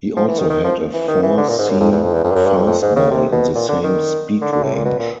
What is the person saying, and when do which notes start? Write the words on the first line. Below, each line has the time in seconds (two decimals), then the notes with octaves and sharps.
He also had a four-seam fastball in the same speed range.
0.17 F3
0.28 E3
0.39 D#3
0.50 D#3
0.64 F3
0.94 E3
1.08 D#3
1.23 E3
1.37 D3
1.48 A#2
1.59 G#2
1.70 F#2
1.80 F2
1.92 E2
2.02 F2
2.14 E2
2.24 F2
2.31 G2
2.35 F#2
2.46 G2
2.56 F2
2.67 F2
2.82 G#2
2.96 C#3
3.11 C3
3.32 B2
3.55 A#2
3.69 D3
3.84 D#3
4.42 D3
4.53 D3
4.63 A2
4.74 A#2
4.85 B2
4.99 A#2